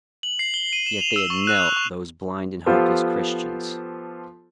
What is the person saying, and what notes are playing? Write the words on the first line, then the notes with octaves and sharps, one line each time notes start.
Yet they had knelt, those blind and hopeless Christians....
F#7
C7
G7
D#7
E7
F7
E6
C#6
F#6
F7
C#6
F3 B3 F4 G4 A4 C5